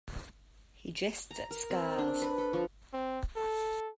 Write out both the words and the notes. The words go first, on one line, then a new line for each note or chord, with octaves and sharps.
He Jests at Scars...
A#5
A#4
C4
D4
B4
A4
F3
C4
A4